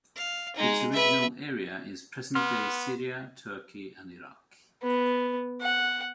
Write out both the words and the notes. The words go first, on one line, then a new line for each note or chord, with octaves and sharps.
Its original area is present-day Syria, Turkey, and Iraq.
F5
G#3 D#4
B4 E5
B3 C6 F6
B3
F#5